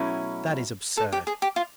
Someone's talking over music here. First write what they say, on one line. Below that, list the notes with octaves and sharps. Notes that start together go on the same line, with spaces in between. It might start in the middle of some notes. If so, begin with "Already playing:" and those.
"That is absurd."
Already playing: B2 F#3 A3 C#4 E4
A4
G4
G#4
G4
F4